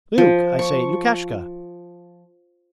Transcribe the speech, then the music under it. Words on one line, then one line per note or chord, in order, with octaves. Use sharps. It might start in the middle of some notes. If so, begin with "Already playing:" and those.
'Luke, I say, Lukashka!
F3
C#6